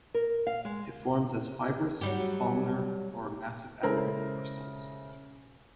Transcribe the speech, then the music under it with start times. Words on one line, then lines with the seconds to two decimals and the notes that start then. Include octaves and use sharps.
It forms as fibrous, columnar or massive aggregates of crystals.
0.14 A#4
0.47 F5
0.65 G#3
2.01 F#3 G3 G4
3.83 C#3 G#3 E4 A4 A#4 C5